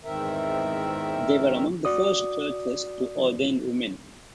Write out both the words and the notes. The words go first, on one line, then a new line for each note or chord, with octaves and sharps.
They were among the first churches to ordain women.
E2 G#2 D#3 C4 A#4 E5
F#4 D5 D#6